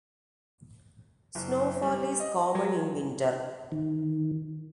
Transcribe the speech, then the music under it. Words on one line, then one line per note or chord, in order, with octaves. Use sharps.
Snowfall is common in winter.
F#1
G3
D#5
F#3
D#3